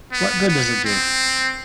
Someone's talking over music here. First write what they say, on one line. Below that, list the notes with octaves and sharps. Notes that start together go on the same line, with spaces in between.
What good does it do?
B3
B3
C4